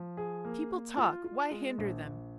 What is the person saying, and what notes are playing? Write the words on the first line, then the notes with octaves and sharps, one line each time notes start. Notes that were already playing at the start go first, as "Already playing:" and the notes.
People talk, why hinder them?
Already playing: F3
G#4
A#3
A#3
F4
F4
G#3
A#1
A#1